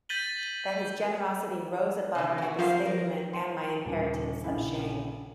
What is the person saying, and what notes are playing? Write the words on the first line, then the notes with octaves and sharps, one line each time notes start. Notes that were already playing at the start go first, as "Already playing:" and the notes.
That his generosity rose above my disfigurement and my inheritance of shame.
G6 A6 B6 D#7 F#7 G7
C3 D#3
E4 F#4
F2 F3 C5 F5
A#4
C6
D#1 C#3
A#1 C#3 E4